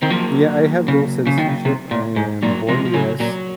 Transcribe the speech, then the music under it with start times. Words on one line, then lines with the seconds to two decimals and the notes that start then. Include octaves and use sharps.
Yeah, I have dual citizenship. I am born U.S,
0.02 D#3 C4
0.10 F3 F#3 A#3
0.88 C#3
1.27 C#3
1.38 D#3
1.48 C#3
1.65 C3
1.91 A#2
2.16 G#2
2.42 A#2 F#3 A#3
2.68 C3 F3 G#3
2.85 F3
2.94 C#3 F#3
3.20 A#2 F#3